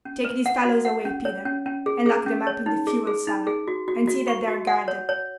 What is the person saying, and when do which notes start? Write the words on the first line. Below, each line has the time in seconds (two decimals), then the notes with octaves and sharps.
Take these fellows away, Peter, and lock them up in the fuel-cellar, and see that they are guarded.
0.05 C#4
0.25 B4
0.46 F#5
0.65 F#4
0.85 F#5
1.05 C#4
1.25 C#5
1.45 C#4
1.66 C#4
1.86 G#4
2.06 G#4
2.26 C#4
2.47 C#5
2.66 D#4
2.87 G#4
3.07 G#4
3.27 D#4
3.47 G#4
3.68 F#4
3.88 F#4
4.07 F#4
4.28 C#6
4.48 F#4
4.67 F#5
4.88 C#5
5.09 C#5